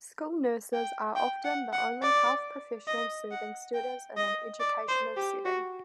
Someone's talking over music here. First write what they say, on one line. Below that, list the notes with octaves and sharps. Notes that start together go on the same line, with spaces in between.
School nurses are often the only health professional serving students in an educational setting.
G5
G5
F#5
F#5
D5
D#5
F#5
G5
D#5
D5
C5
G4
F#4